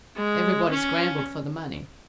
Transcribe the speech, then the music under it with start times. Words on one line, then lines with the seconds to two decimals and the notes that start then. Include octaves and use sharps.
Everybody scrambled for the money.
0.16 G#3
0.71 C#4